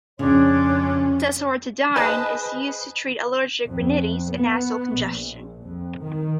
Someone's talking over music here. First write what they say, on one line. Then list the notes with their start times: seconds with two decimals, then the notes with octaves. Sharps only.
Desloratadine is used to treat allergic rhinitis and nasal congestion.
0.19 F2 C#3 C#4 D4 C#5 C6
1.95 G#4 B4 C5 D#5 A5
3.68 F2
4.31 B3
4.97 A#1
5.62 F2
5.98 D#3